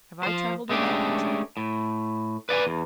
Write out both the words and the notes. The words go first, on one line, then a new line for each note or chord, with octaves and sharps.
Have I travelled in that country?
F3 C5
G#3 A3 C#4 D4 G4
A2
B4 D5 F#5 G#5
E2